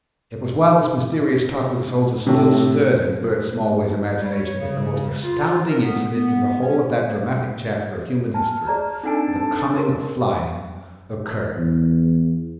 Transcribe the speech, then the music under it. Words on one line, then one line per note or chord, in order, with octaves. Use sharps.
It was while this mysterious talk with the soldier still stirred in Bert Smallways' imagination that the most astounding incident in the whole of that dramatic chapter of human history, the coming of flying, occurred.
A2 C3
G3
C#5
C#3
F4
A#4
B3
B3
C#4
C#5
G#5 A5 F6
G#4 D5 A#5
C4 D4 D#4 A4 F#5 G#5 A5 D7
G#4 A#4 C6
E2